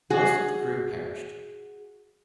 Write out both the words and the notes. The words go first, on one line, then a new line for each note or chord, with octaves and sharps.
Most of the crew perished.
F#4 G#4